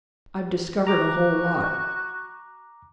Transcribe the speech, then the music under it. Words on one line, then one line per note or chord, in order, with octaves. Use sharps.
I've discovered a whole lot.
F#4 A#5 D6